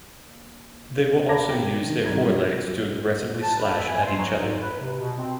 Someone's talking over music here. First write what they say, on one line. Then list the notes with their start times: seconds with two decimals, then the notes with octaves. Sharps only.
They will also use their forelegs to aggressively slash at each other.
1.28 A#4 A5 B5 D6 G#6 A#6
1.49 G5
1.81 D#3
2.03 C2 C3 D#3 G#6
2.21 F#3 G3 F4
3.43 A5
3.58 B4
3.74 E5
3.88 G#5
4.04 C6
4.16 F#3
4.38 G#2
4.61 B4
4.80 C3
5.00 B2
5.19 C4